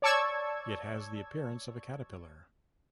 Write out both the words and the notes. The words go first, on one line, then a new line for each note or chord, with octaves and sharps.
It has the appearance of a caterpillar.
C#5 D5 A5 C#6 E6 G#6